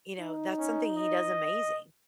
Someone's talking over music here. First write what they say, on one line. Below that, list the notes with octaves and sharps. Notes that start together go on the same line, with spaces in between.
you know, that's something he does amazing.
D#4
C#4
D#5